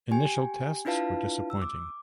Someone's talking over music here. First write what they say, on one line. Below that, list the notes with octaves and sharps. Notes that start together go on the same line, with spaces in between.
Initial tests were disappointing.
G4 G5 G#5
D4 E4 F4 B4 F5 A5
E6
D6